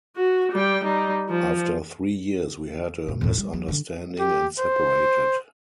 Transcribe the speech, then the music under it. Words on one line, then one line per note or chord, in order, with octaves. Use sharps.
After three years we had a misunderstanding and separated.
F#4
G3 G5
G3 D#4
F3
F#2 B2
E2 A2
G3
F#3
D3 D4
G4
C5